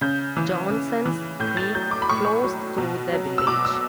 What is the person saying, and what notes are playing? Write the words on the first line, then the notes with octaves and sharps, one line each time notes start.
Johnson's Creek flows through the village.
C#3 G6
E3
C#3
E3
A2 G6
A6
F#3 G6
D6
B5
A2 C#6
F#3
B2
F#3
E6
B2 D6
E6